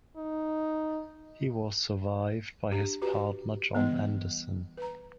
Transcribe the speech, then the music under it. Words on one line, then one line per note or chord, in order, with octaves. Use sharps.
He was survived by his partner John Anderson.
D#4
D4 G4
F#4 G4 B4 A#5
E3 G3 B3
B4 A#5